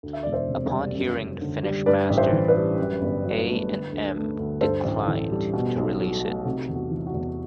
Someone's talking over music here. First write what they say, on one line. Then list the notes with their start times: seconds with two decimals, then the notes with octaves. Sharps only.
Upon hearing the finished master, A and M declined to release it.
0.03 D2
0.13 E5
0.23 E1 D5
0.32 C5 E5
0.49 C3
0.72 G3
0.95 F#2
1.17 F#1
1.41 D3
1.63 G3
1.86 G2 B4 D5
2.10 A1
2.17 C5 E5
2.33 E3
2.48 B4 D5
2.56 G3
2.79 F#2
3.01 G1
3.24 F#3
3.47 A3
3.69 D3
3.92 D2
4.16 A3
4.39 D2
4.61 G2 A4 C5
4.84 A1
5.07 E3
5.31 G3
5.53 B2
5.76 B1
5.99 F#3
6.22 A3
6.45 C3 F#4
6.69 E2
6.75 F#4
6.91 E3
7.07 F#4
7.14 E2